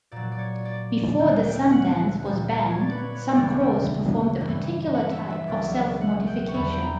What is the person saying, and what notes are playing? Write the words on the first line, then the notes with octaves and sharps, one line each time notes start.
Before the Sun Dance was banned some Crows performed a particular type of self-mortification.
A#2 F#3 D5
D5
C#5
D5
D2 D3 G3 G5
G5
F#5
A#2 G3
C#5
D5
B4
C#5
B4 C#5
D2 C#3 E3 G3 D5
G5
G2 E3 G3
F#5
E5
E5
C#2 B2 F#3 D5
E5
F#5
G5
C#6
E2 D3 G3 B5
G5
A#5